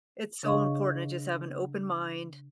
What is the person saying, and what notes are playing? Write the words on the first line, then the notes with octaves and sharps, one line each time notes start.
it's so important to just have an open mind,
C#3 D4 G#4 D#5 F5 C#6